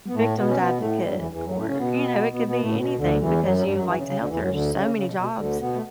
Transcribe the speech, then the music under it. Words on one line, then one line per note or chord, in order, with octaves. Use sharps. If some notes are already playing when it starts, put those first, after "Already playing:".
victim's advocate or, you know, it could be anything because you like to help, there are so many jobs
B3
A2 A3
B2 B3
C#4
B2 B3
A2 A3
G2 G3
F#3
E2 E3
E2 E3
F#2 F#3
A2 A3
C#3 C#4
B2 B3
B2 B3
B2 B3
A2 A3
C#3
B2
D2 D3
E2 E3
F#2 F#3
F#3
G2 G3
F#2 F#3
E2 E3
C#3
C#3
D2 D3
E2 E3
F#2 F#3
D2 D3
C#3
C#3
B2
B2
D2 D3
B2 B3
A3